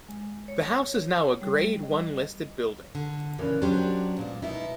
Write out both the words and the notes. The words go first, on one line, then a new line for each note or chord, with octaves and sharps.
The house is now a grade one listed building.
G#3
C#5
C#5
G3
D#5
D3
A#2 C#3 E3 C#4
F#3 C#4 D4 G4 C5
G2 A#2 G#3
B2 D#4 E4 E5